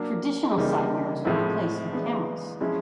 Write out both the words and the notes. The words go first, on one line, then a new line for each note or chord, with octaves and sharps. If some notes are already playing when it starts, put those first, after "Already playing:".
Traditional side mirrors are replaced with cameras.
Already playing: F#3 A#3 D4
C#3 E3 G3 A#3 D#4
A2 F3 G#3 C4 E4
E3 G#3 B3 D4
F3 G#3 C#4 E4